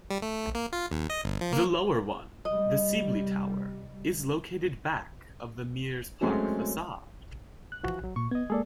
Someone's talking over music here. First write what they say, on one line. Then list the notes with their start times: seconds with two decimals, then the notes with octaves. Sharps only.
The lower one, the Sibley Tower, is located back of the Mears Park facade.
0.10 G3
0.22 A3
0.55 A#3
0.73 F4
0.92 D#2
1.10 D#5
1.24 G1
1.41 F3
1.52 A#3
2.45 C3 G3 D#5
6.21 F#3 G#3 A3 C4 C#4 F#4
7.72 F#6
7.83 E3 F3 F#4
8.04 F#3
8.16 A#2 C#6
8.31 B3 D#5 G#6
8.50 G#3 A#3 G#4 A4 D5